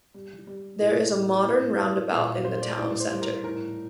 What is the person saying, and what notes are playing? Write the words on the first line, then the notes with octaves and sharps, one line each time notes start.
There is a modern roundabout in the town centre.
G3
G3
A2
A2
A2
G3
A#2 F5
G3 C5
D5
A2 D5
C5
G3
A#4
A2 A#4